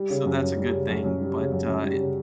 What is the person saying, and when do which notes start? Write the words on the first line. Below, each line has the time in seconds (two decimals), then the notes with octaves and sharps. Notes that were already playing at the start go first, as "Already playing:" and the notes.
so that's a good thing, but, uh, it
Already playing: G3
0.10 C#3
0.26 F#2
0.42 F#2
0.57 G3
0.73 C#3
0.89 F#2
1.04 F#2
1.21 G3
1.37 C#3
1.52 F#2
1.68 F#2
1.84 G3
2.00 C#3